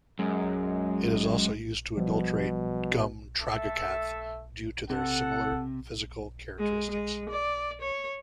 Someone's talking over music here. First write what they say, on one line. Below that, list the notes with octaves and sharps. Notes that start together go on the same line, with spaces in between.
It is also used to adulterate Gum tragacanth due to their similar physical characteristics.
F#2 G#3
B2 F3 G3
A3 A4 E5
C3 A4 F#5
G#3
G#3
D5
C#5